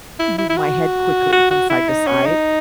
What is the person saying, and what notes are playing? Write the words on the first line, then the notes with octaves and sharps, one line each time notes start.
move my head quickly from side-to-side,
E4
E4
E4
F#4
F#4
F#4
E4
D#4
C#4
D#4